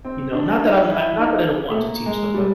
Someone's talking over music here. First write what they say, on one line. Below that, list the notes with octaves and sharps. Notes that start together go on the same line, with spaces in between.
You know, not that I'm I not that I don't want to teach them, but
C4
D4
D#4
D#4
E4
D#4
A3
A#3
G#3
G3